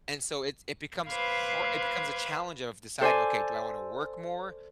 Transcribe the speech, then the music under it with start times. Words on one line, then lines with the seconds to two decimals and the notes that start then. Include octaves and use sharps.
and so it's it becomes har it becomes a challenge of deciding, okay. Do I wanna work more,
1.07 B4 C5 F5 B5 D6 G#6
3.01 A4 C5 D5 G#5